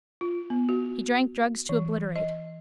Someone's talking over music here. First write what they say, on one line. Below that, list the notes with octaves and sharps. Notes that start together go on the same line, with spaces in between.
He drank drugs to obliterate.
F4
B3
F#4
E3
D#5